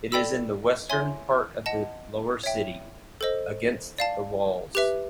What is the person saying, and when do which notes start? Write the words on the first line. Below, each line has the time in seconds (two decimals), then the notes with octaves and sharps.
It is in the western part of the lower city, against the walls.
0.12 A4 D5 G5 B5 E6
0.89 C#5 E5 G#5 C6
1.66 D#5 F#5 A5
2.44 C#5 E5 G5
3.21 A4 C5 D#5
3.98 D5 F5 A5
4.75 G4 B4 E5